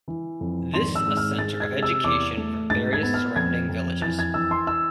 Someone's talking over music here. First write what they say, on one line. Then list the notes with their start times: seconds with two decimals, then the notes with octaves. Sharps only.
This a center of education for various surrounding villages.
0.08 E3
0.41 F2
0.74 G#1 C6
0.95 E6
1.07 G#2
1.17 F6
1.38 G#3 A6
1.60 G#6
1.72 C3
1.83 E6
2.04 E2 D6
2.37 A3
2.70 G#2 A6
2.93 G#6
3.03 B3
3.14 F6
3.36 F2 G#6
3.69 F2
4.02 E3 A6
4.19 G#6
4.34 E3 E6
4.51 C6
4.67 E6